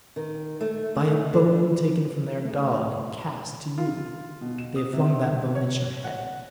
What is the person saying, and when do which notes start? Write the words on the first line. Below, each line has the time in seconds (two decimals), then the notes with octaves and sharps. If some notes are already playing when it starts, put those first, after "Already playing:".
By a bone taken from their dog and cast to you. They have flung that bone at your head.
0.16 D#3
0.61 A3
0.95 A3
1.33 D3
2.45 A3
3.78 F4
4.41 B2
4.58 E7
4.76 D#6
4.93 C3
5.55 C#5
5.85 C#5
6.04 F#5